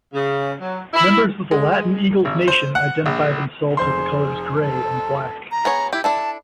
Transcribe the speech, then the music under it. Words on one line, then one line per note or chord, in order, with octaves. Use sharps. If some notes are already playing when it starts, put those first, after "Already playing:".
Members of the Latin Eagles Nation identify themselves with the colors grey and black.
C#3
F#3
E4
G#3
G#1
C5
F#5
A#1
F1 G#4 C5 C6
A4
A#5
B3 G#4 C#5
E4 G4
D4 E4 A4 A5